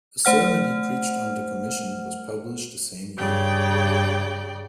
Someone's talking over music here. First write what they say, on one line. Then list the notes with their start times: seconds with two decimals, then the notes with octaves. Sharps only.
A sermon he preached on the commission was published the same year.
0.25 A3 C5 F#5 F6
3.16 G2 C#3 D5 G5